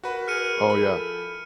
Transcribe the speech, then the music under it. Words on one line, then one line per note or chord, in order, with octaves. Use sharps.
Oh, yeah.
F#4 A#4 B4
G#4 F6 C#7 D#7
F3 E4 A4 B5